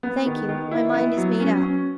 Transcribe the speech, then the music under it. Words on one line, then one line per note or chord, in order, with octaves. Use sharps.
'Thank you, my mind is made up.'
B3
D#3
D#3
E4
B3
F#3
C#4
C#4